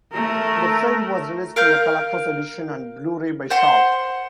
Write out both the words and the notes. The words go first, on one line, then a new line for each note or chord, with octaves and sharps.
The film was released in a Collector's Edition on Blu-ray by Shout!
A3 A#4
A#4 F5 F6 G6
C5 F#5 C6